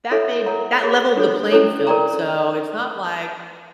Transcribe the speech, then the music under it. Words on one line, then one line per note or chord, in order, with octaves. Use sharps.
that made that leveled the playing field, so, it's not like
E4 A4 C#5 E5
A#4 C#5 F#5 A#5
G#4 C#5 F#5
D4 F4 A4 C#5
C#4 E4 A4 C#5
A#4 D5 G5 A#5